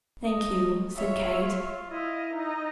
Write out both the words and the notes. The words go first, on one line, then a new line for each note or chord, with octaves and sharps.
"Thank you," said Kate.
D#5
F4 C#5 E5
E4 D#5 F5
D#4 D#5